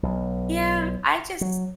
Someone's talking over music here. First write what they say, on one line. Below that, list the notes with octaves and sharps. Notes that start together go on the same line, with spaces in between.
Yeah, I just
B1
F#3